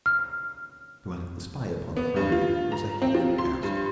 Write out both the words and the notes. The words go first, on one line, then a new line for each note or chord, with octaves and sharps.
To act the spy upon a friend was a hateful task.
F6
B3
G2
F4
A#5
C4
F3
C6
G2